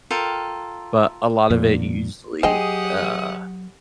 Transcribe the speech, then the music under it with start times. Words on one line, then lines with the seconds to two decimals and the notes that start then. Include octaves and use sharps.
but a lot of it u usually, uh
0.11 F4 A4 A#4 G5
1.50 F2 A#2
2.43 F#3 G4 G#4 C5 D#5 F#5 G5 D#6